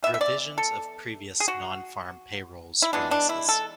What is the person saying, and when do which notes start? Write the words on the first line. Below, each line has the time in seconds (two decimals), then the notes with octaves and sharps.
Revisions of previous nonfarm payrolls releases.
0.03 E3 E5
0.07 B3
0.14 E5
0.21 D5
0.58 A4
1.40 G#4
1.48 F#4
2.82 E4
2.93 E3 G#3 B3 D4
3.11 D4
3.29 E4
3.49 A4